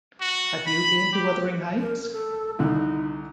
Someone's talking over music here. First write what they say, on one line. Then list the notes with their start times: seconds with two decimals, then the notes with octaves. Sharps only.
Have you been to Wuthering Heights?
0.21 F#4
0.67 B5
1.12 G4
1.79 A#4
2.11 A4
2.59 C2 D3 D#4 F#6